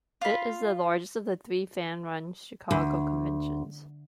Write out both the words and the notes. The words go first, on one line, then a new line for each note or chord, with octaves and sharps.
It is the largest of the three fan-run Chicago conventions.
F4 B5
D2